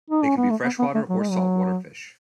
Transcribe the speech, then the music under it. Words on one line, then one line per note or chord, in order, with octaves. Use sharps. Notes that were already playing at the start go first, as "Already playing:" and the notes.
They can be freshwater or saltwater fish.
D#4
C#4
B3
A3
B3
B3
A3
F#3
G#3
F#3